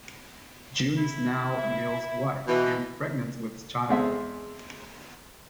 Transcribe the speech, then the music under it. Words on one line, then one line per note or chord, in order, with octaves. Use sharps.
June is now Mill's wife and pregnant with his child.
E4
E5
B2 E3 D#5
E2 G#3 C4 A4 E5